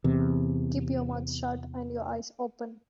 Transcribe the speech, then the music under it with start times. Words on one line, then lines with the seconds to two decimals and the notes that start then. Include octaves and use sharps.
Keep your mouth shut and your eyes open.
0.04 E2 C3